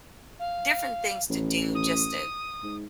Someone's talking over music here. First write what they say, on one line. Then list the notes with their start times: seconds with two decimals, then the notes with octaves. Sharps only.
different things to do just to
0.39 F5
1.30 A1
1.74 D#6
2.64 G#2